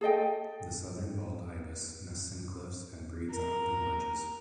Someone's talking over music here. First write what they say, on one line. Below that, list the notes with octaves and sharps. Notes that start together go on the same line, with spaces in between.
The southern bald ibis nests in cliffs and breeds on open ledges.
G#4 A4 D#5 G5
A#4